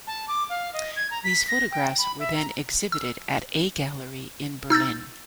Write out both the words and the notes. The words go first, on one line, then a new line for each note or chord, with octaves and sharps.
These photographs were then exhibited at a gallery in Berlin.
A5
D6
F5
D#5
G#6
A#5
B6
A#6
G5
B5
E5
A#5
E6
D#4 E6 G6 A6